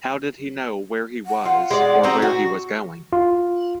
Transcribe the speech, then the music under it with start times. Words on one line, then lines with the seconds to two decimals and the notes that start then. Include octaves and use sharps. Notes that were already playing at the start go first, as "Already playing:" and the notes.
How did he know where he was or where he was going?
1.26 F#5
1.45 F4
1.70 G#3 D5
2.03 C4 D#4 F#4
2.22 F#4
3.13 F4